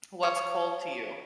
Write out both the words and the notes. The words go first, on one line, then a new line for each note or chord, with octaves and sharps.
What's cold to you?
C#5